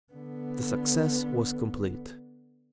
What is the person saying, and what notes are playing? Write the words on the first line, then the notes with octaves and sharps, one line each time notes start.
The success was complete.
D3 B3